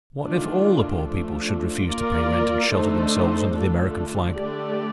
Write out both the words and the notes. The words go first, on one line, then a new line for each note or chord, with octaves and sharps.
What if all the poor people should refuse to pay rent and shelter themselves under the American flag?
D#3 A3 D4 F4
F3 A3 D4 F4
A#3 F4 A#4 D5
D3 A3 D#4 A4 C5
D3 A3 D4 F4 A4
D3 A3 D4 G4 D5